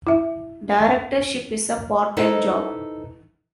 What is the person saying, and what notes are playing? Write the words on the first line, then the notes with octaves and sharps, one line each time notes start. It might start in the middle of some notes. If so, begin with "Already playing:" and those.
Directorship is a part-time job.
E4 E5
D#4 E4 A4 B4 C5 D#5